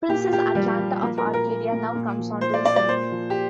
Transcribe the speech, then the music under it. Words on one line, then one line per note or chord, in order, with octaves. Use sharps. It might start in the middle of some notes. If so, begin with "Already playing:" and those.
Princess Atalanta of Arcadia now comes on to the scene.
A#2 G4
F4
A#2 G4
F3 G3
F3
F3 A#3
A#4
A#2
A#4
A#2
A#2
A#2
F3
F3 C5
D5
A#2 D5
D5
A#2 C5
F3
G4